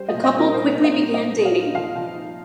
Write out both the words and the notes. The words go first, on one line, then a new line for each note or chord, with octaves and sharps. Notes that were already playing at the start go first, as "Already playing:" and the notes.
The couple quickly began dating.
Already playing: G3 C5
D#5
A#2
D#5
G3
A#4
A#2 C5
A#2
D#5
A#2
D#4 D#5
A#2
F5
D#4
F3 F5
F3
D#4